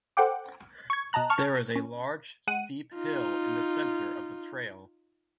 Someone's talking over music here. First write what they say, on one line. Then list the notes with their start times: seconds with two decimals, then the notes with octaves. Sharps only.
There is a large, steep hill in the center of the trail.
0.17 A4 C5 F#5 G5 D6
0.90 C#6 G#6
1.13 B2 D#5 A5 A#5 F#6
1.30 A5 C#6 F6
1.76 C#4
2.47 G#3 F#5 D#7
2.95 D#4 F4